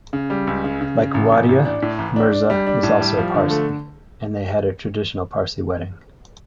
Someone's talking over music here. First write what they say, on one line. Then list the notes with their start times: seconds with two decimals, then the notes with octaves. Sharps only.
Like Wadia, Mirza is also a Parsi and they had a traditional Parsi wedding.
0.13 C#3
0.30 G3
0.47 C#2
0.64 C#3
0.81 C#3
0.98 C#3
1.14 A1
1.32 A1
1.49 A1
1.65 D4
1.82 A2
1.98 A1
2.16 D4
2.32 D4
2.50 G3
2.67 D4
2.83 A2
3.00 G3
3.17 F3
3.34 D3
3.50 A3